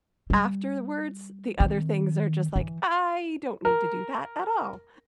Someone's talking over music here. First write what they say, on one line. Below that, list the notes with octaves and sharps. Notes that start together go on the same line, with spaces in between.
afterwards, the other things are just like, "I don't need to do that at all.
G3
D#3 C4
E3
A#4